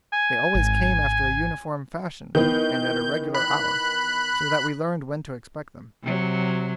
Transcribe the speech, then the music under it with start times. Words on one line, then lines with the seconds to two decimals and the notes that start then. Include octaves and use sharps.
They always came after a uniform fashion and at a regular hour, so that we learned when to expect them.
0.13 G#5
0.55 G#1
2.35 D#3 E3 B3 G6
3.35 B5 F#6
6.04 C3 F#3